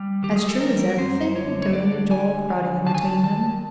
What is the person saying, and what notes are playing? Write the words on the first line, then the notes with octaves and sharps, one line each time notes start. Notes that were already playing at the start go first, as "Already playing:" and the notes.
"As true as everything?" demanded Joel, crowding in between them.
Already playing: G3
D#3 G4
G#4
A4
G3 A#4
F#2 C5
D3 C#5
C#5
D3 D5
F3 G#5
D3
D#3 A5
G#5
A5
D#3 A5